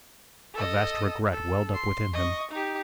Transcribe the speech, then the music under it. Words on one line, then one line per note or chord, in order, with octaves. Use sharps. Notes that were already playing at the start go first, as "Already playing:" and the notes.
A vast regret welled up within him.
A4 D#5
A4
C6
D#5 C#6
D#4 G4